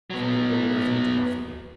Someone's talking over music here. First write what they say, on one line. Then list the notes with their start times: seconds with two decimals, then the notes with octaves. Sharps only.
He would owe nothing to Lafayette.
0.10 F#3 B3